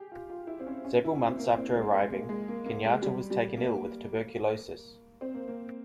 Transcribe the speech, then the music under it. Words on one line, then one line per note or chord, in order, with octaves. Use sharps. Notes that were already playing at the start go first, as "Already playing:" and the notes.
Several months after arriving, Kenyatta was taken ill with tuberculosis.
Already playing: G4 G#4
F4
F4
E4
C4
C#4
C#4
E4
C#4
C4
A#3
C4
G#3
G#3
G#3
A#3
G#3
A#3
A#3
G#3
G3
G3
A#3
C4
A#3
A#3